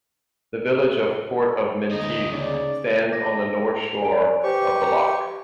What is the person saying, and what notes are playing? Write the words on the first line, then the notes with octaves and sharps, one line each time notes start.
The village of Port of Menteith stands on the north shore of the loch.
D2 D#4 D#5
C#3 D5
D6 A#6
D5 G#5 D7
G4 B4 C5 C#6